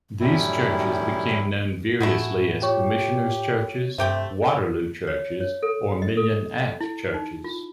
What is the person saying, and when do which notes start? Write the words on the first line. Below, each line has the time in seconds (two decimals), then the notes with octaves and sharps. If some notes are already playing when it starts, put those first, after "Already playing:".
These churches became known variously as Commissioners' churches, Waterloo churches or Million Act churches.
0.20 F#2 A2 D#3 G3 E4
2.00 A2 G#3 A3 E4 F#4
2.62 F4 G4 C#5 C#6
3.98 G2 C3 A3 G4 E5 G5
5.07 C#5
5.40 C#5
5.63 A4
6.02 D#5
6.17 A4
6.81 E4
7.14 D#4
7.44 F4